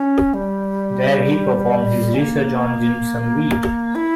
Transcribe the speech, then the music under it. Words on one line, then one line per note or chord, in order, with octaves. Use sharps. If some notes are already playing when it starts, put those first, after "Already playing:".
There he performed his research on jimsonweed.
Already playing: C#4
G3
C#4
A#3
E4